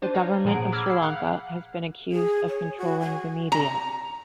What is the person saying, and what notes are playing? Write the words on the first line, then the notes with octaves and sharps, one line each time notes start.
The government of Sri Lanka has been accused of controlling the media.
D4 C5 A5 D#7
C#5 F5 A#5
A#2 F3 G#4 F#5 A#5 D7
A#5 B5 D6 E6 F6 G#6
B5 C7
F5 F#5 F6 F#6
G#4
C#5
F#4
G#5
A#5